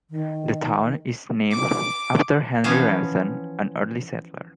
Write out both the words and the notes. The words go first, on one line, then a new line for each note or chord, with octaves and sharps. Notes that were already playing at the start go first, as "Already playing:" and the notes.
The town is named after Henry Remsen, an early settler.
D#3
D6 D7
E3 F3 B3 C#4 F5